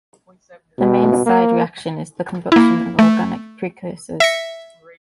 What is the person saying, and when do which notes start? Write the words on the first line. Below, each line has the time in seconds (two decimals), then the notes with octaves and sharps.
The main side reaction is the combustion of organic precursors.
0.78 B2
1.26 A#3
2.52 A#3 E4
2.99 A3
4.20 E5 A#6 C#7